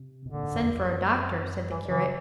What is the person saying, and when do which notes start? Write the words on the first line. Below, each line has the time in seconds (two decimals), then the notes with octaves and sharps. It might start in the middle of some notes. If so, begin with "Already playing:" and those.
'Send for a doctor,' said the curate.
Already playing: C3
0.25 B2 D3
0.34 A#2
0.43 G#2
0.53 F#2
0.62 F2
0.74 F2
0.86 F#2
1.71 G2 E3
1.88 C#3 E3